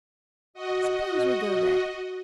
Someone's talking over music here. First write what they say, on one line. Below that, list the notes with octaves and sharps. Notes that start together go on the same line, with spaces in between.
Suppose we go there.
F#4 D#5